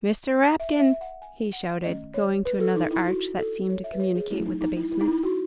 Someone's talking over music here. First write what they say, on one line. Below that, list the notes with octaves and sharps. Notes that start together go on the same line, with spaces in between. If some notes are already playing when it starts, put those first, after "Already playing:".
"Mr. Rapkin!" he shouted, going to another arch that seemed to communicate with the basement.
E5
E5
F#5
G#5
F#5
D#3 A3 C#4 D#5
C#5
B4
A4
D#4
E4
F#4
A4
C#5
E5
B4
C#5
G#4
F#3 A3 C#4 E4
D#4
D#4
E4
E4
D#4
E4
F#4